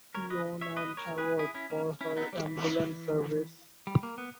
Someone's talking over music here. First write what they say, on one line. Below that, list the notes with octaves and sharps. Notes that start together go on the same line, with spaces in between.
She won an award for her ambulance service.
A#4 C#5
B4 D#5
C#5 E5
B4 D#5
A#4 C#5
G#4 B4
E4 G#4
C#4 E4
A#3 C#4
C#4 E4
B3 D#4
G3
E3
G3
A#3
B3